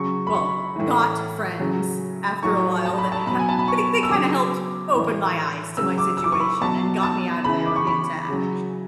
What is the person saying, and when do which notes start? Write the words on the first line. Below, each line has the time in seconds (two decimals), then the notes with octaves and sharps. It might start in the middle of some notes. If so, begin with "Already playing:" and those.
Well, got friends after a while that had ki they they kinda helped open my eyes to my situation and got me out of there intact.
Already playing: C#3 F#3 C#6
0.27 B5
0.34 C#6
0.76 A2 E3
1.59 C#3 F#3
2.43 A2 F#3 C#6
2.85 A5
2.98 B5
3.12 A5
3.27 B2 F#3 B5
3.39 G#5
3.49 A5
3.59 B5
3.68 C#6
4.03 E6
4.10 C#3 F#3 D6
4.94 A2 E3
5.77 C#3 F#3 E6
5.98 D6
6.17 E6
6.24 D6
6.32 C#6
6.40 B5
6.61 B2 F#3 A5
7.03 A5
7.44 C#3 E3 B5
7.66 D6
7.76 C#6
7.87 B5
8.29 C#3 F#3